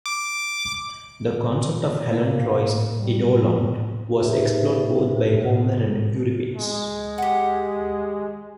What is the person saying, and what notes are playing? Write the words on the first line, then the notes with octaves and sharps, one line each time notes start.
The concept of Helen of Troy's eidolon was explored both by Homer and Euripides.
D6
A#3
G3
D#4 G4 G#4 B4 C5 E5
G#3
G4 F#5